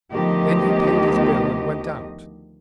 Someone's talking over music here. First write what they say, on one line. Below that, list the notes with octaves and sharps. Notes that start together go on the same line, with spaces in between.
Then he paid his bill and went out.
D2 D#3 F3 B3 G4 D#5